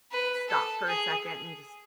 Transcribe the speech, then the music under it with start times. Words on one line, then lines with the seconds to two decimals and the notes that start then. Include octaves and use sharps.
stop for a second and just
0.11 B4
0.49 A4
0.86 G#4